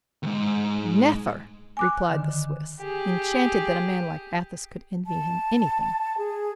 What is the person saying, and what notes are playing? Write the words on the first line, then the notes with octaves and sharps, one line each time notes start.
"Neffer," replied the Swiss, enchanted that a man like Athos could envy him anything.
D#2 G#2
G#5 D6 F#6
D3 D#3
G4 G#4
A5
G#4